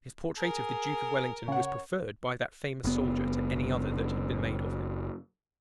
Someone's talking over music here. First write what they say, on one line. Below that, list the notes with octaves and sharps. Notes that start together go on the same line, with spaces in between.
His portrait of the Duke of Wellington was preferred by that famous soldier to any other that had been made of him.
G#4 A#4
C#3 C#5 F#5
F#1 B3